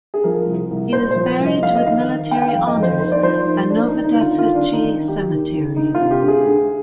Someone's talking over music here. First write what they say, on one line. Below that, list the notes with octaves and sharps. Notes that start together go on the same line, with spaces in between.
He was buried with military honours at Novodevichy Cemetery.
G#4
F3 A#4
C2
C2
A#2 C5
F3 C5
C2
D#5
F2 F5
D#5
D#3 F5
D#3
D#3 G5
G5
F5
F2
D#5
F2
C5
D#2 C5
D5
F3 C5
D#2
D#2 D4
D#4
D#2
D#4
D3
F4
D#3 F4
D4
D#3
D#4
D#3
D#3 G4
D#2
D#3
D2 D#4
F4
C3
G4
D2
G#4
D2